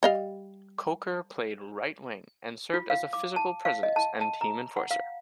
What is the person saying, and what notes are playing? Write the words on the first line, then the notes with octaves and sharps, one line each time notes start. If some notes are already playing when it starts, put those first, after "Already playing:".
Kocur played right wing and served as a physical presence and team enforcer.
G3 D#5 F5
F4
F5
D6
A5
F5
D#5
A5
A5
A#5
F#5
F5